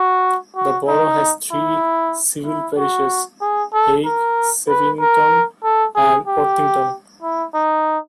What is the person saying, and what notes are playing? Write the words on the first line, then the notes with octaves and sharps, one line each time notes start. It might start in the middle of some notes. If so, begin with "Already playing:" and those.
The borough has three civil parishes: Haigh, Shevington and Worthington.
Already playing: F#4
F#4
D#4
E4
E4
F#4
G#4
A4
A#4
B4
A#4
A4
G#4
G4
E4
D#4